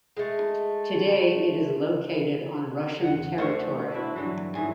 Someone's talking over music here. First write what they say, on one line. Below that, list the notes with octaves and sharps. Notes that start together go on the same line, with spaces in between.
Today it is located on Russian territory.
G#3 A3
E2 F#5
D3 A3 G4 C5 F#5 C#6
D4 E4 F#4 B4 E5
G2 D3 E3 F#3
G#2 D#3 E3 F#3 A3 G#4 G#5